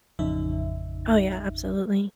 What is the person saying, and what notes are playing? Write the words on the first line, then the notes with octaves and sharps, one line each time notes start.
Oh, yeah, absolutely.
A1 F2 C#3 D#4 E5